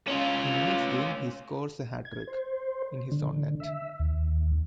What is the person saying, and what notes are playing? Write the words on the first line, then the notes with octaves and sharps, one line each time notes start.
In the next game he scores a hat-trick... in his own net.
C#4 F4
G#6
C5
D3
E5
D#2